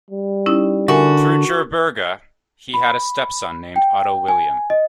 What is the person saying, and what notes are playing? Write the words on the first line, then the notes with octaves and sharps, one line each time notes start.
Through Gerberga, he had a stepson named Otto William.
G3
C#4 D#4 E4
D3 F#4 A#4 E5 G#5
B5
G5
G#5
D#5